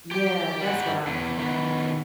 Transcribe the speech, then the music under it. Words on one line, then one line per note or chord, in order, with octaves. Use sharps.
Yeah, that's what I like.
G4 G5
G3 F#5
E2
D#3 B3